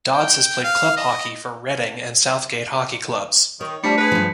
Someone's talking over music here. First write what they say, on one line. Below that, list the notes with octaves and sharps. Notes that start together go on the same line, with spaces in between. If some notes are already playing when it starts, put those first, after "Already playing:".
Dodds has played club hockey for Reading and Southgate hockey clubs.
G5
F5
D#5
D#3 C#5
F3 G3 A3 D4 A5 B6 C#7
G#4 B4
G2 F3